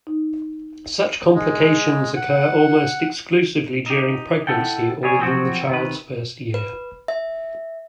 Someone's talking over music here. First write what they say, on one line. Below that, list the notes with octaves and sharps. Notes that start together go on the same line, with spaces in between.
Such complications occur almost exclusively during pregnancy or within the child's first year.
D#4
G#3
F#5
D#4 G4
E4 A4 F#5 G5
G3 G#4 C#5
F3 F#3 C4 F#4
C3 D#3 B4
B4
E5